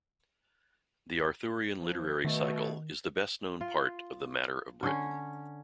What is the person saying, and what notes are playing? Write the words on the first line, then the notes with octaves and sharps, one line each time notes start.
The Arthurian literary cycle is the best known part of the Matter of Britain.
F3
B2 D#3 A3
F4
D3 C#4